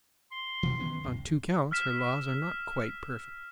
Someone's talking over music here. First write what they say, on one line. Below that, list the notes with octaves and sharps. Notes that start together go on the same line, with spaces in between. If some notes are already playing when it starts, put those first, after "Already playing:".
On two counts, her laws are not quite perfect.
C6
B2 E3
D#3 B3 C#4
C#2 F#2
E6 F6 B6 E7